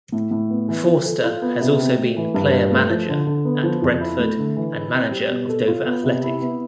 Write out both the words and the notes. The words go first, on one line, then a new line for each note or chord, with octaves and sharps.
Forster has also been player-manager at Brentford, and manager of Dover Athletic.
A2
A2
B3
E3
F3
A4
F4
B3
C3
C4
A3
E3
G2
G2
A3
F3
D3
D3
B3
F3
F2
E4
A3
D3
E3
E4
C4
G3
B2
A4
F4
B3
C3
E4
B3